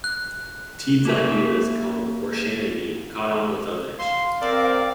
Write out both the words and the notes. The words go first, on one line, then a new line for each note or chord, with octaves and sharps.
Teed's ideas, called Koreshanity, caught on with others.
F#6
A#3 G4 E5
F5 C6
C4 A#4 D5